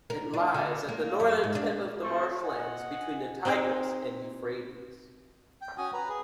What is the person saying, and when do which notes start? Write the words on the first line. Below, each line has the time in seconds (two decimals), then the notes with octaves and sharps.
It lies at the northern tip of the marshlands between the Tigris and Euphrates.
0.10 A#4
0.34 D4
0.54 D3
0.89 A#3
1.20 F#2
1.44 G#2
1.55 D4
2.02 A3 C4 C#6
2.42 D#5 F#5 G#5
3.45 C4 D#4 G#4 G5
5.62 G5
5.78 C#4 F#4 G#5 D#6
5.94 B4 A#5
6.09 G#4